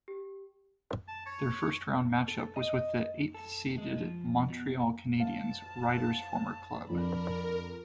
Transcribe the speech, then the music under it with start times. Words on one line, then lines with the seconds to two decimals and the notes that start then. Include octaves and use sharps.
Their first round matchup was with the eighth seeded Montreal Canadiens, Ryder's former club.
0.08 G4
1.08 A5
1.26 C#5
2.28 A4
2.56 D#5
3.35 A4
3.78 G#3
3.98 F3
4.50 B2
5.20 F5 A5
6.90 F2 D4 A#4 B5